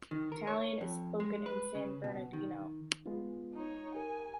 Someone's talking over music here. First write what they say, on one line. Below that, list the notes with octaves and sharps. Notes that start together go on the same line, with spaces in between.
Italian is spoken in San Bernardino.
D#3
A#4
C#5
F2
G#3
B4
C#3
B2
D#3
G#3 B3 F4
D#4 C#5
G4 A#4 G#5